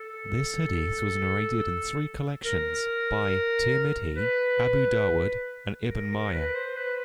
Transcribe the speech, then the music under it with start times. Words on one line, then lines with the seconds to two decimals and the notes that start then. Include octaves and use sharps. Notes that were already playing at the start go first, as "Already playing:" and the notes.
This hadith was narrated in three collections by Tirmidhi, Abu Dawood, and Ibn Majah.
Already playing: A4
2.45 A#4
4.17 B4
5.89 A#4
6.12 A#4
6.33 B4
6.55 C5
6.76 B4